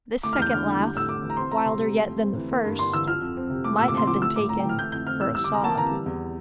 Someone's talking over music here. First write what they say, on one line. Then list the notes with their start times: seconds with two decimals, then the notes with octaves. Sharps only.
This second laugh, wilder yet than the first, might have been taken for a sob.
0.23 A3 D6
0.33 F6
0.38 E2 G6
0.51 D4 F6
0.66 D3
0.80 G3
0.94 A2 E6
1.08 A2 D6
1.23 E3
1.30 A#5
1.37 C4 C6
1.51 C3 A#5
1.65 C3 C6
1.80 G3
1.94 A3
2.08 F2
2.22 C4
2.36 E3
2.51 A#3
2.65 G2
2.79 D4 C6
2.93 E3 E6
3.08 F3 F6
3.21 F2
3.37 C4
3.50 C3
3.64 A3 D6
3.79 A#2 E6
3.88 D6
3.93 C4 C6
4.07 F3 D6
4.22 A3 E6
4.36 A2 D6
4.49 A2 A#5
4.59 G5
4.64 E3
4.69 F6
4.78 A3 G6
4.92 F2 G6
5.07 C4 F6
5.21 E3 E6
5.35 G3 E6
5.44 D6
5.49 C3 A#5
5.63 A#3 A5
5.78 E3 A#5
5.91 G3
6.06 E2